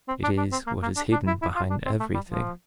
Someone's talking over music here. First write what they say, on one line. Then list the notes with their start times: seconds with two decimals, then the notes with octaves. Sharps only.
It is what is hidden behind everything.
0.08 C4
0.23 D4
0.37 D4
0.52 C4
0.67 A#3
0.82 A#3
0.96 D4
1.12 D4
1.27 E4
1.42 E4
1.56 F4
1.70 D4
1.85 C4
2.00 A3
2.14 G3
2.30 F3